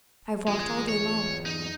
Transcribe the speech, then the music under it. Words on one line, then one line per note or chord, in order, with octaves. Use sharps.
I have walked all day long.
E2 G#3 F4 G#4
C#5
D#4